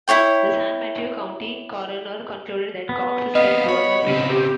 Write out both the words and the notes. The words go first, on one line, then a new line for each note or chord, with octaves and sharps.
The San Mateo County coroner concluded that Cox's death was a suicide.
E4 F#4 C#5 G5
B3
C4 B4 D#5 F5
C#5 B5
C#3 C4
G4